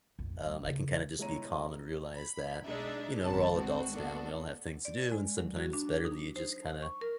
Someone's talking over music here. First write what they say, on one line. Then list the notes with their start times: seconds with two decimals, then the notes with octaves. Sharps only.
um, I can kinda just be calm and realize that, you know, we're all adults now and we all have things to do, and sometimes it's better that you just kinda
0.19 A#1 F2
0.45 G3
0.64 C#3 A3
1.19 G#3 B3 E4 C#5 A#5 D#7
2.14 B5
2.65 B1 G#3 D4 D#4 E5
3.22 G#1 C3 A5
3.52 G#3 C4 F#4
3.93 G#3 A#3 B3 D4 F#4 A4
4.85 D5
5.12 G#3
5.38 F#3
5.57 F#4
5.73 D4
6.05 D#4
6.36 C5
6.82 C#6
7.01 A#4